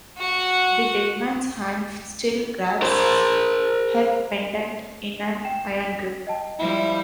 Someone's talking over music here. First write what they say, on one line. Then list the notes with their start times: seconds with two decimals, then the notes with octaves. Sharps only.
The dead man's hand still grasps her pendant in an iron grip!
0.17 F#4 F#5
2.82 A#4 C5
5.45 G5 E7
6.27 D#5 G5 A5
6.59 F3 G3 E4